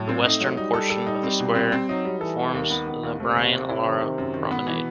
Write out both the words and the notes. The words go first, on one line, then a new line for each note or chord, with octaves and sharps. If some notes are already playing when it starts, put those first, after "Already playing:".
The western portion of the Square forms the Brian Lara Promenade.
Already playing: A2 F#3
C4
A3 D#4
F#3
G3 D#4
A4
A4
D#4
C4
B2
C4
C4
F#3 D#4
G3
E3 A4
G3
D#2 D#3
B3
B3
D#2
C3 A3
D#2
D#2
E4
D#3
D#3
F#2
D#3
B2 B3
E3